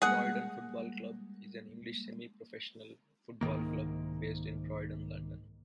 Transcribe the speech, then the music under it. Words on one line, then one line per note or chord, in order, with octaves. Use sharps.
Croydon Football Club is an English semi-professional football club based in Croydon, London.
G3 G#3 A#3 G#4 F#5
C2 G#2 D#3 A#3